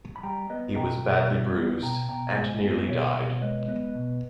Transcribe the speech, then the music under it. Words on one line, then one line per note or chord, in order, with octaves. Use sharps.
He was badly bruised and nearly died.
B5
G3 G5 A#5
B3 B4 D#5
B2 G5 A#5
B2
G3
B3
B2 G5 A#5
B2 G5 A#5
G#3 E5 G#5
B3
B2 C#5 E5
B2
G#3 B4 D#5
B3 B4 D#5
B2